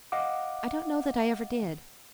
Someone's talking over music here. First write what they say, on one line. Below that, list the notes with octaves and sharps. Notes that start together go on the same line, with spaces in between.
"I don't know that I ever did."
D#5 F5 F#5 D6